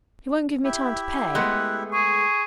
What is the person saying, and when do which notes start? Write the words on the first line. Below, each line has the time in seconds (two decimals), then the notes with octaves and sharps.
He won't give me time to pay.
0.64 E4 G4 E5
1.35 G#3 A3 B3 F#6
1.92 G#4 C#6